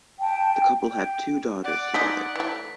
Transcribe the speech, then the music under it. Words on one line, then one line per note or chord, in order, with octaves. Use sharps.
The couple had two daughters together.
G5 A5
G5
D5 F#5
G#3 D#4 D#5 B6
E3 A3